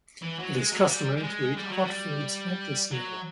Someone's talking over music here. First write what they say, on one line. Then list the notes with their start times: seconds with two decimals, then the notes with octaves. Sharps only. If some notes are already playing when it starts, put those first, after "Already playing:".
It is customary to eat hot foods at this meal.
0.22 E3
0.39 F#3
0.55 G#3
0.72 F#3
0.83 G#3
0.90 G3
1.17 G3
1.23 G#3
1.57 G3
1.70 F#3
1.84 G3
2.91 F#3